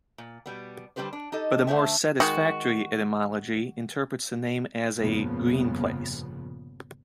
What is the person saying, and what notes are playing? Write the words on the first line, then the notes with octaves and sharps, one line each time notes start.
But a more satisfactory etymology interprets the name as a "green-place".
A#2
B2 G3 B3
D3 G3 D4 G4 B4 C5
D4
D#4 G4 A4 D#5
D3 A3 C5 E5
D#3 G#3 F#4
F1 G2 A#2 C#3 F3 B3